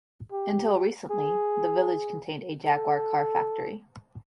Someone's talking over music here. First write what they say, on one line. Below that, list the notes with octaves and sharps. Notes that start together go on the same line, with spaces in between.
Until recently the village contained a Jaguar car factory.
G4
G#4
A4